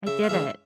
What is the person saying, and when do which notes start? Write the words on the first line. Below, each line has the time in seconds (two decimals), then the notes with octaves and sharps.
I did it.
0.07 C#3 E5
0.24 F5
0.29 E3 G#3 C#4 E5